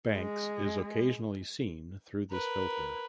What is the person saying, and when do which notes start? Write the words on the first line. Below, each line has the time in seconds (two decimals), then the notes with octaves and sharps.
Banks is occasionally seen through this filter.
0.12 G#3
2.30 A#4 B4